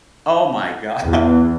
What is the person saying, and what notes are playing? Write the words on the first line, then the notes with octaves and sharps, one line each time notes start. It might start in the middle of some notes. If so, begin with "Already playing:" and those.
Oh my god.
E2